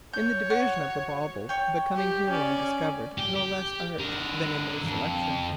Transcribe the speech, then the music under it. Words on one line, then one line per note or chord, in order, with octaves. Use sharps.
In the division of the baubles the cunning Huron discovered no less art than in their selection.
C#5 G6
F#4
C#5 G5
G4
C#4 D5
G4
G4
D3 A#4
F2